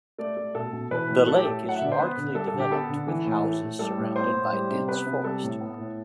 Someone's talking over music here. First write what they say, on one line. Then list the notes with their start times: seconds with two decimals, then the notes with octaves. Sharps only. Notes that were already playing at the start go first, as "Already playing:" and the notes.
The lake is largely developed with houses surrounded by dense forest.
0.18 A3 D5
0.37 A3
0.54 B2 A4
0.73 B2
0.91 E3 B4
1.09 A2
1.26 A3 A4
1.36 G4
1.45 A2 A4
1.63 F#3
1.69 F#5
1.76 E5
1.81 D3 D5
1.92 C5
1.99 B3 B4
2.17 D3
2.35 G3 A4
2.47 A4
2.53 D3
2.59 G4
2.71 B3 A4
2.89 D3
3.08 E3
3.25 A2
3.44 A3
3.62 A2
3.79 G3 A4
3.98 A2
4.16 B3 C5
4.34 A2
4.52 G3
4.70 C3
4.88 B3 B4
5.06 C3
5.24 G3 A4
5.42 A2
5.61 B3
5.78 A2